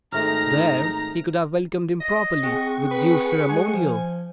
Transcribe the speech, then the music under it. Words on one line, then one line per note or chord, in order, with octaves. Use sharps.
There he could have welcomed him properly with due ceremonial.
G#1 A3 D#4 E5 A#5 F6 A#6
D#5
C4 G#4 F#5 C#6
B4
G#3 G#5
F3